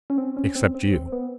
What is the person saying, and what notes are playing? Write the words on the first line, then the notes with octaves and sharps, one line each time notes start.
"Except you."
C#4
C4
C#4
C4
C4
C4
B3